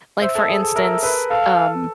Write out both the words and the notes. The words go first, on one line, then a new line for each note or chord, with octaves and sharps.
like, for instance, um
C5 E5
A4
G#4
A4
A#4 E5
B4
A4 F5